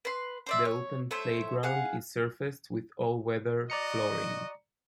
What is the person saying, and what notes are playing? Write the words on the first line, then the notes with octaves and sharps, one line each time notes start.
The opened playground is surfaced with all weather flooring.
B4 C6
C5 D5 E5
C#5
A3 C5 C#5 E5
G#4 F5 F#5
F#4 D5 D#5 A#5 C#7